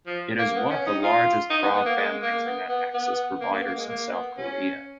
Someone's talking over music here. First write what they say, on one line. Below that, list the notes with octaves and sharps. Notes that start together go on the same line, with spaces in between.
It is one of the largest broadband Internet access providers in South Korea.
F3
A#3
B3
C#4
D#4
F4
D#4
B3
B3
A#3
G#3
A#3
B3
B3
B3
A#3
A#3
B3
A#3
G#3
A#3
B3
C#4